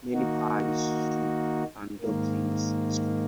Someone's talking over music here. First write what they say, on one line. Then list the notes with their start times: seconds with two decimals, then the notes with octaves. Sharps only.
Many pies, soup and dumplings is cooked.
0.13 D#3 A#3 D#4 F#4
2.02 G#2 D#3 A#3